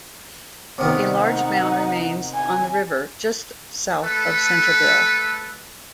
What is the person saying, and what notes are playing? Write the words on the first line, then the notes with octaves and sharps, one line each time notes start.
A large mound remains on the river, just south of Centerville.
C3 D#3 B3 D#4 F#5
G#5
A3 A4 B4